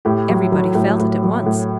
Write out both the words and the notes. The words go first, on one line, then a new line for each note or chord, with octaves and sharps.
Everybody felt it at once.
A2 G4
F#3
F#3
A2
A2
F#3
A2